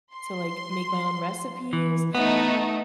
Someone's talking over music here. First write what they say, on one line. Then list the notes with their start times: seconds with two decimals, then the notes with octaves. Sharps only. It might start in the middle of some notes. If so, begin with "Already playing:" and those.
to, like, make my own recipes,
0.14 C6
1.73 E3
2.15 A3 B3 D#4